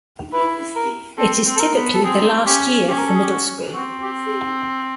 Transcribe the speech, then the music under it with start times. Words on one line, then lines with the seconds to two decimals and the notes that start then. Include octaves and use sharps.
It is typically the last year for Middle school.
0.33 E4 B4
0.76 A#4
1.18 C4 A4
1.46 C4
1.56 A4
1.61 A#4
1.75 B3
1.94 A4
2.04 C4 G#4
2.46 C#4 G4
2.88 C#4 G4
2.98 A#4
3.06 A4
3.15 G#4
3.23 G4
3.31 F#4
3.74 C4 F#4
4.02 G4